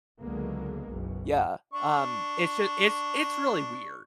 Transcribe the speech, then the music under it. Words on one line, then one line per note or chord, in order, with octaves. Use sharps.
Yeah. Um, it's just, it's it's really weird.
C#2 D3 F#3 G#3 A#3 B3
F#1 B1 B2
D4 C#6